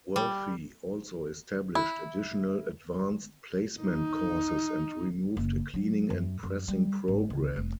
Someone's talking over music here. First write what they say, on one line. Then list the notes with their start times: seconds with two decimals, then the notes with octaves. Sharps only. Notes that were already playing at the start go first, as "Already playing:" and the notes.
Worthy also established additional Advanced Placement courses and removed a Cleaning and Pressing Program.
0.16 G3
1.75 E4
3.81 D#4
5.37 F#1
5.74 F#3
6.10 F#2
6.43 F#2
6.68 G3
7.08 G#1
7.30 C#2
7.56 F1